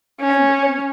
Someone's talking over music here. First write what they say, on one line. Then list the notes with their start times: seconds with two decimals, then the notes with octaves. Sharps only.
And when
0.21 C#4